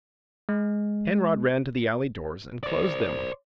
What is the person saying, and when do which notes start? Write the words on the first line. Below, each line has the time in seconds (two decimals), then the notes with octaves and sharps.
Penrod ran to the alley doors and closed them.
0.49 G#3
2.63 C5 D5